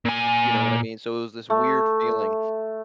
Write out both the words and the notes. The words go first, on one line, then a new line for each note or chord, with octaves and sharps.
you know what I mean? So, it was this weird feeling,
A#2 G#5
A3